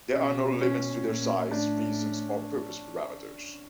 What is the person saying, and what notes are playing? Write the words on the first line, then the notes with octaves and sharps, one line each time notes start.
There are no limits to their size, reasons, or purpose parameters.
B2 C#4
C#4
A#2
A2 D4